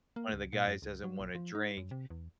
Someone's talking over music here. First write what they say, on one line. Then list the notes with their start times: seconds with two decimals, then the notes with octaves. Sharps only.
one of the guys doesn't wanna drink,
0.16 A#3
0.33 C#2
0.53 A#2
0.67 F#2
0.82 C#2
1.04 F#3
1.19 A#1
1.35 F3
1.55 D#4
1.77 F#2
1.91 C3
2.10 E2